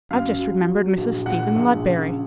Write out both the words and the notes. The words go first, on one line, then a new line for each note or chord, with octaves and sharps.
I’ve just remembered Mrs. Stephen Ludberry.
F#2 F5
F#3
F#3
A#1
A#2 F#5
A#1
C#3